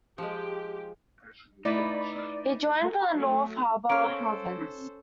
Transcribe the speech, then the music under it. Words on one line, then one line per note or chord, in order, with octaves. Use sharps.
He joined from the North Harbour province.
F3 G#3 G4
A3 D#4 E4 B4 D5 A5
F#3 A3
A#3 C#4 A4 C5 F5 D7